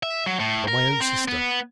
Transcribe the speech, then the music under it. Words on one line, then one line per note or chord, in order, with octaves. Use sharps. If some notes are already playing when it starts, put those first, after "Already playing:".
From my own sister?
E5
F#3
A2
A#4
C4
B3